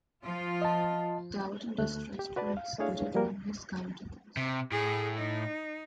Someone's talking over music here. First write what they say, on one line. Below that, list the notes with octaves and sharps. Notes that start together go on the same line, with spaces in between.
Doubt and distrust were exhibited in his countenance.
F3 F4
D#5 A5
D2 A3 F#6
G4
F#4 B4 D5 A5 B5
F5
A3 D4 E4 G#4 C#5 F5
F3 G3 A#3 F#4 A#4
C3
A2 G#4
D#4